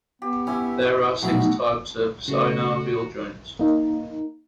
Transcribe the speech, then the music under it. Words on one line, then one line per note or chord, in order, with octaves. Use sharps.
There are six types of synovial joints.
B3 G4
C#4 E4 G4 E5
A#1 B2 F#3 A3 B3 D#4 F#4 E5
C#3 A3 F#4
A#3 D#4